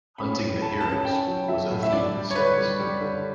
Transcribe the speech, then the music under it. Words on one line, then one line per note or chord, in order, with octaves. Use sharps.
"Hunting the Heroes" was a "theme" series.
C#4 B5
A2
A2 A5
B5
C#4 A5
C#4 G5
F#3
F#3 E5
A2
E5
D4 D5
G3
C#5
D3 B4
G3
G3
D3